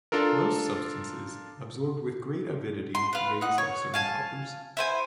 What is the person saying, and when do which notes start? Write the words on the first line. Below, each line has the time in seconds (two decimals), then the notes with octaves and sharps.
Most substances absorbed with great avidity rays of certain colors.
0.12 D4 F4 A4 A#4
2.95 C6
3.13 F4 B4
3.41 D#4 F#5
3.58 C#5
3.94 F5 G#5 A5
4.77 E4 C5 G#5